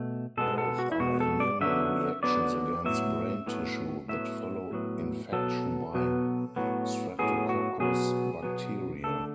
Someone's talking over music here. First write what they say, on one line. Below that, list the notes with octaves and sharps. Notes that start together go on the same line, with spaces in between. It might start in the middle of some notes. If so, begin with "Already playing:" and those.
Both are immune reactions against brain tissue that follow infection by "Streptococcus" bacteria.
Already playing: B2 A3
B2 G#3 B3 A4
A4
F#4
E4
B2 G#3 B3 F#4
A4
D5
D3 F#3 B3 E5
D3 F#3 B3 D5
A2 F#3 B3 E5
A2 F#3 B3
A2 F#3 B3 E5
A2 F#3 B3
B2 F#3 B3 A4
B2 F#3 B3
A2 F#3 B3
A2 F#3 B3 G#4
F#4
B2 F#3 B3 G#4
B2 F#3 B3
D3 A3 A4